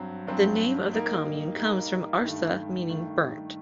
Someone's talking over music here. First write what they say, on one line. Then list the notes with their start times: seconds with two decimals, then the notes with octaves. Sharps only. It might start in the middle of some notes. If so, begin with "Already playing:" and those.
The name of the commune comes from "Arsa" meaning "burnt".
Already playing: G2 F#3 C4
0.27 G2 F#3 C4
0.93 G3 A#3 D#4
1.57 G3 A#3 D#4
2.23 G2 D#3 A3
2.89 G2 D#3 A3